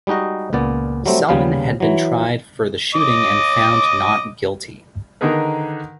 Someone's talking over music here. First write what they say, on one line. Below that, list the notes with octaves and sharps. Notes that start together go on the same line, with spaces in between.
Selman had been tried for the shooting, and found not guilty.
G3 G#3 D#4 F#4 D#5
C#2 A#2 B3 D5
F#3 G3 A3 C4
D#2 C#3 G3 B3 F5
E3 F#3
D#5 D6
D3 D#3 D#4 G#4 A#4 B4